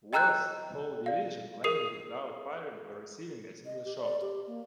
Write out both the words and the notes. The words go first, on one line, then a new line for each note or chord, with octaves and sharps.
Worth's whole division landed without firing or receiving a single shot.
D#5 G5 A#5 E6 F#6 G6
D5 F5
G#4 A#4 D#6 C7
D#5
G4
D5
G4
A#3